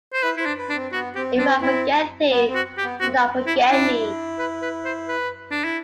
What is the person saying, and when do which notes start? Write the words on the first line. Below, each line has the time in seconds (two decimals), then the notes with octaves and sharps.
If I forget Thee, do not forget me.
0.13 C5
0.23 E4 B4
0.37 E4 C5
0.46 D4
0.58 B4
0.69 D4
0.75 C4
0.92 B3 F#4
1.15 C4 G4
1.38 C4 D4
1.61 C4 E4
2.31 B3
2.49 C4
2.55 F#4
2.78 G4
2.83 B3
3.00 C4 F#4
3.17 B3
3.35 C4
3.46 E4
3.52 D4
3.70 D4 E4
4.39 B4
4.62 B4
4.85 C5
5.08 B4
5.51 D4
5.64 E4